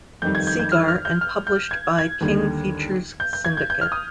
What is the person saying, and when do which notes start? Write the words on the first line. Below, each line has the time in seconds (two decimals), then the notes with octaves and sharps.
Segar and published by King Features Syndicate.
0.22 F2 D#3 G3 G6
0.35 G#6
0.47 G6
0.59 G6
0.72 F6
0.88 F6
1.05 G6
1.21 F6
1.47 G6
1.71 G#6
1.98 G#6
2.21 D#2 D3 G3
3.20 G6
3.33 G6
3.45 G#6
3.57 G6
3.70 G6
3.81 F6
3.92 D#6